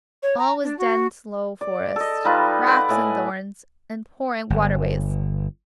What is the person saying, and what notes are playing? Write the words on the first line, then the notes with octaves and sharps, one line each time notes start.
All was dense low forest, rocks and thorns, and pouring waterways.
C#5
A#5
D4
F#4
D5
A4 D#5
G3 D#4 F4 B4
B4 D5 F#5
A2 D#5 G#5
G1